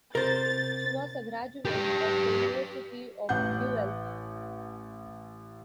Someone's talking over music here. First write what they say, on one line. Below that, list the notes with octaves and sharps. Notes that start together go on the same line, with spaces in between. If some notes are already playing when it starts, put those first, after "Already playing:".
She was a graduate of the University of Guelph.
C3 A#4 C5 A6
G4 B4
A1 F#5 G6